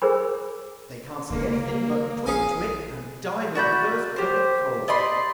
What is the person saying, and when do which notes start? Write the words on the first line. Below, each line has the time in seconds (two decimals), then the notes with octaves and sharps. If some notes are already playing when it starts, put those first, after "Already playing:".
They can't say anything but "twit, twit," and die with the first breath of cold.'
0.02 G#4 A#4 C5 B5
1.30 C#3 G#3 A#3
2.26 A#1 G#4 F5 G#5
3.55 F#4 D5 B5 G6
4.16 G4 C5
4.88 D5 D#5 B5 C6